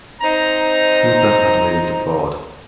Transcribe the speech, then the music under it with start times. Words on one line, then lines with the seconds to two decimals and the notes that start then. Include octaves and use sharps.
Couper had moved abroad.
0.22 C4 D#4 C5 A#5